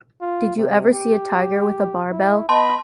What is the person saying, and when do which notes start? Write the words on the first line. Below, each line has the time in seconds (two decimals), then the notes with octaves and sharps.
Did you ever see a tiger with a barbell?
0.21 F4
0.56 C3
0.93 G4
2.10 E4
2.49 B3 D#5 A5 B5 C6